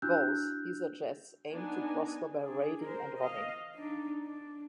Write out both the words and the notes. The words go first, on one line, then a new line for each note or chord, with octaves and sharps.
Both, he suggests, aim to prosper by raiding and robbing.
D4 E4 F#4 E6 F#6 G6
B3 D4 D#4 G#5
D4 G#4
A#4 C5
D#5 F5
D4 D#4
D4